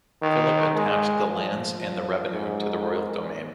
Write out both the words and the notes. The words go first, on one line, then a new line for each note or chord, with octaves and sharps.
Philip attached the lands and their revenues to the royal domain.
D#3
G#3
F3
F3
G#2